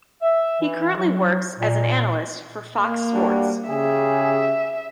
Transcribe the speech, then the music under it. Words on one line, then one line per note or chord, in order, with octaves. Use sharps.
He currently works as an analyst for Fox Sports.
E5
E3
F#3
A#2
A#3
G3 D4 F#4
C#3 G4 G#4 E5